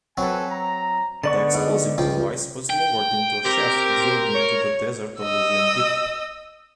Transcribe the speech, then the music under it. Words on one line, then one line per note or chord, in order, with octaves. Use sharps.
The explosive device was lowered into a shaft drilled into the desert alluvium deep.
F#3 C4 F#4 A4 B4 G#5
A#5
D3 B3 D5 A5 C#6
G#2
C#2 F3 G5
G5
C4 G4 A#4
C#5
D#5 E6